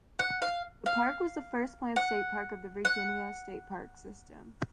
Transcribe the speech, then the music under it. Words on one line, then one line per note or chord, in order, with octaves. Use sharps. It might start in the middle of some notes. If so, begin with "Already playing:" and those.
The park was the first planned state park of the Virginia State Park system.
F#5
F5
F5
F#5
F#5